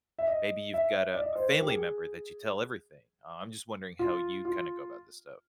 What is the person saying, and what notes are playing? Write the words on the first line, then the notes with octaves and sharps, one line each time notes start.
maybe you've got a a family member that you tell everything, uh, I'm just wondering how you kinda go about this stuff.
E5
D#5
E5
D5
D#5
C5
A#4
G4
G#4
F4
F4